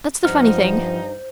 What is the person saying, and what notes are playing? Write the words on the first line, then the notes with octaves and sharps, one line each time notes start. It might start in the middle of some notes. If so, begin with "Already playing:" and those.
That's the funny thing.
G2 F3 D#4 C5 F#5 F6